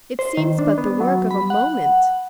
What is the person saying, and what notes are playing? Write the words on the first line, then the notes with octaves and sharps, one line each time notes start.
It seems but the work of a moment.
C5
D#3
D4
B3
F#3
B5
F#5